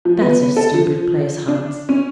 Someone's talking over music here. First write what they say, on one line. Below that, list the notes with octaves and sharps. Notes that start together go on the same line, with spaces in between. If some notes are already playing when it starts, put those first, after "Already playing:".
'That's a stupid place, Hans.
F3
B3
A4
F3
D4
C#4